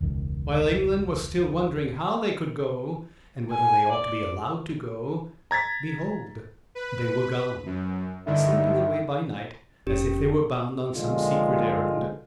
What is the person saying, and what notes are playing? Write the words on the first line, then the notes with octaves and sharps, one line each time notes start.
While England was still wondering how they could go, and whether they ought to be allowed to go--behold, they were gone! slipping away by night, as if they were bound on some secret errand.
E1 C#2 D#3
G#5
D5
A#5 G#6 A6 B6
B4
F#2
G2 D3 D#3 E4
F1 C#4 G4
A#1 D3 D#3 G#3 F4